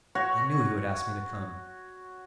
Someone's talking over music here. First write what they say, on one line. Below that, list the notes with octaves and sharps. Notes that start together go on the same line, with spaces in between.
I knew he would ask me to come.
F#4 C#5